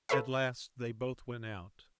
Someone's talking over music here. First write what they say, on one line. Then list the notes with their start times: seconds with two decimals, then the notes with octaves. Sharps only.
At last they both went out.
0.09 A4 B4 C#5 E5 F5